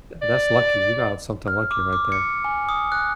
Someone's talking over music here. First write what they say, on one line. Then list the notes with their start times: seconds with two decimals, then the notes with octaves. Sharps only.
tha that's lucky. You got something lucky right there.
0.22 D5
1.48 F6
1.71 D6
1.93 D6
2.12 C#7
2.44 G#5
2.69 D#6
2.92 F#6